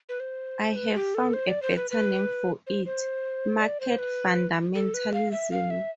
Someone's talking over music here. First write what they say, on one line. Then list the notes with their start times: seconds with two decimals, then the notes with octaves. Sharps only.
I have found a better name for it: market fundamentalism.
0.09 B4
0.20 C5
0.76 B4
0.95 G4
1.15 A4
1.33 C5
1.47 D5
1.62 C5
1.76 B4
1.91 B4
2.67 C5
2.86 C5
3.61 D5
3.80 C5
3.99 B4
4.75 A4
4.94 B4
5.14 F5
5.32 E5
5.52 F5
5.70 E5